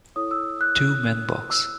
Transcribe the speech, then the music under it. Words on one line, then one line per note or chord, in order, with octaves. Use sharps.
Two men box.
E4 A4 C#5 D#6
E6
F#6
E6